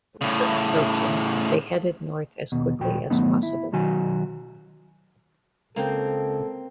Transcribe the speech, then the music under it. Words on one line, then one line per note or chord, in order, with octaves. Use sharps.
With winter approaching, they headed north as quickly as possible.
A2 C#3
D#2 B2
D#2 A#2 F#4 G5
G#2 D#3 F#3 A3 B3 D#4
E4
B1 D#3 F#3 F#4 G#5
C#2 A#3 C4 A4 G5